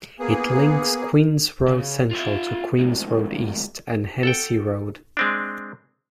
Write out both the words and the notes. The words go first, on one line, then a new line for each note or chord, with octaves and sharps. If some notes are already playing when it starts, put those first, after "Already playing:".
It links Queen's Road Central to Queen's Road East and Hennessy Road.
A#3 B3 G#4
C#3
F4 E5
D2 G#2
A4 F#5 G5
G#3 C4 D4